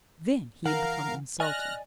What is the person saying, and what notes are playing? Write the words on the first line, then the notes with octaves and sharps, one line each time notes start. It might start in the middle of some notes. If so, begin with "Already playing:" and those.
Then he had become insulting.
E3 A#4 F5 F#5 A#5
D5 D#5 G#5 F6 F#6 A#6